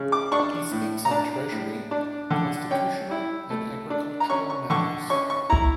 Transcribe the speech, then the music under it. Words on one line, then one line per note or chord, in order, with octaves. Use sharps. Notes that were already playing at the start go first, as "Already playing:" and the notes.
He speaks on Treasury, Constitutional, and Agricultural matters.
Already playing: C#3
D6
D4 C#6
A2
A#5
D4 A5
A2
D4
D3
C#4 G5
E4
A3
D4
A#5
C#4 C#6
C#6
D3 C#6
C#4 C#6
C#6
E4 A#5